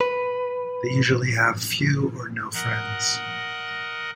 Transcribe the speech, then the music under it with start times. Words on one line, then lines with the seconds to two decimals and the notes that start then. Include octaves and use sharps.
They usually have few or no friends.
0.01 B4
2.54 A#4 D#5 F#5